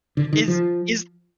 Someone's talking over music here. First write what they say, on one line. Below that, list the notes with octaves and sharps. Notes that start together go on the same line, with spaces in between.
Is is
D3
D#3
F3